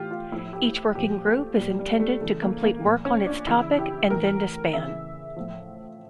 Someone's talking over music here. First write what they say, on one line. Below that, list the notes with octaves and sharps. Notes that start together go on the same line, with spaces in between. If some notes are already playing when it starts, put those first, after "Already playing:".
Each working group is intended to complete work on its topic and then disband.
Already playing: A2 E3 F4 G4
F4
A2 F3 E4
G4
A#2 F3 G4
A3
A#2 F3 G3
G3
A3
C#3 E3 A3
A#3
A#3
A#2 F3
C#4
D4
C#3 E3 E4
G4
A2 E3 A#4
C#3 E3 E5
A2 F3